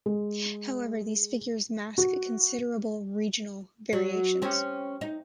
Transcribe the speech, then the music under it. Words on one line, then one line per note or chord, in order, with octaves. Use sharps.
However, these figures mask considerable regional variations.
G#3
F#4
F#3
C4 C#4 G4
D#4